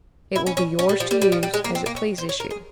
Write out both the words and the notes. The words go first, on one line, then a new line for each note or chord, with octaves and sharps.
It will be yours to use as it pleases you.
E4
C#4
C#4
C#4
G3
F3
G3
G3
F3
G3
G#3
A#3
C4
A#3
C#4
C5
C#5
A#4
G#4